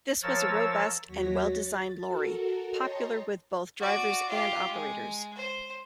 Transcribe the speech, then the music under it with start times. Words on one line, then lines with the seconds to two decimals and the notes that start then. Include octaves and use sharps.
This was a robust and well-designed lorry, popular with both drivers and operators.
0.23 F3 A#4 C#5 E6 A6
1.06 D#2 F#3 F#4 C#5 A#6 B6
1.43 A6
2.03 F#4 A4 A#4
2.68 C#5 D#5 G5 A5 A#5 C6
3.80 F#4 D5
4.28 F4 G4
4.71 G#3
5.35 C5